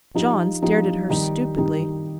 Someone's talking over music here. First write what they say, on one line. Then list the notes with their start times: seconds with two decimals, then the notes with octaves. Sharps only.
John stared at her stupidly.
0.14 F3 D#4 G4
0.62 F3 D#4 G4
1.09 D#3 G3 D#4 G4
1.57 D#3 G3 D#4 G4